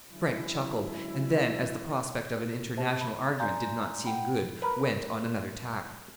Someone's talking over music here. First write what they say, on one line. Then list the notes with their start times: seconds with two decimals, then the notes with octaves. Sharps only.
Frank chuckled; and then, as the prospect of an international argument did not seem good, went on another tack.
0.11 D3 F#3 G#3 C#4 E4
2.76 G4 C5 E5 A5
3.01 B5
3.39 D5 F5 G#5 A#5 C6 G6
4.05 F#5 G5 B5
4.62 A#4 B4